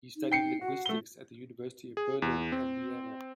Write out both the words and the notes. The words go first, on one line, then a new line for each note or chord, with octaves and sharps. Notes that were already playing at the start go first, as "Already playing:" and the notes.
He studied linguistics at the universities of Berlin and Vienna.
D#4
G5 C7 C#7
F#4 F#5
A3 G7
G#4
E2
C4